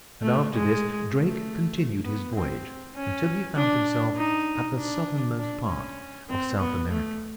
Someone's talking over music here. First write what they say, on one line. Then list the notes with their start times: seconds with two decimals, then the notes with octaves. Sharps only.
And after this Drake continued his voyage, until he found himself at the southernmost part of South America.
0.22 A3
0.53 G#3
1.14 A3
2.04 B3
2.35 C4
2.96 C#4
3.56 D4
4.17 D#4
4.77 D4
5.38 D4
5.69 C#4
6.29 C4
6.60 B3
6.90 A3